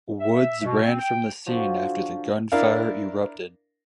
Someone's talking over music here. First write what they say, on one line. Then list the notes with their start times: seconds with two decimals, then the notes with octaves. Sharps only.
Woods ran from the scene after the gunfire erupted.
0.20 E5
0.64 B2
0.83 C4
0.99 G5
1.46 D3 F3 F#3
2.52 D4 E4 A#4 F5